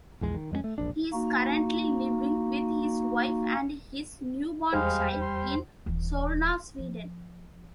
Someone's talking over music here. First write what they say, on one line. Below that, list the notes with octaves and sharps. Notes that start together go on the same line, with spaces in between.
He is currently living with his wife and his newborn child in Solna, Sweden.
A#1 E2 G#3
D#3
F2 G#3 A#3 C#4
A3
E1 A#1 D4
A#3 D#4 F#4
E2 G3 G#3 C5 F5
C6
D#1 E3
F3